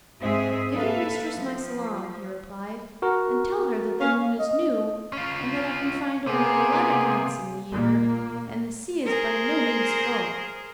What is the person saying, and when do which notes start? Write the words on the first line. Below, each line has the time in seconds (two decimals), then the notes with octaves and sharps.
"Give your mistress my salaam," he replied, "and tell her that the moon is new, and that I can find only eleven months in the year, and the sea is by no means full."
0.20 G#2 G#3 C4 G#4 E5
0.71 A#3 A4 B4 E5 F5
1.35 F3
3.02 F#4 A#4
4.00 C#4 F5
4.40 D#5
5.13 C#4 F4
6.27 C3 A#3 B3 G#4
7.73 A#2 A#3
9.04 G#4 A#4 C5